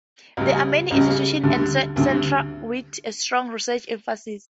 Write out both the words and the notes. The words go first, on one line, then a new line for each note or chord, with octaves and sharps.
There are many institutes and centres with a strong research emphasis.
C#2 C#3 G3
C#2 C#3 G3
D2 D3 G3
D2 D3 G3